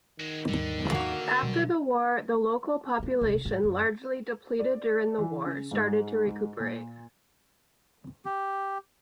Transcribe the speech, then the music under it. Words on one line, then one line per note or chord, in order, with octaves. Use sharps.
After the war the local population, largely depleted during the war, started to recuperate.
D#3 G#3 F#4
D#2 G#2 D3 G3
A#3 F#4
B2 F#3 G3
G#3 A#3
D#1 C2
G#2
F#2
D5
E3
C#3
G#2
A#2
G4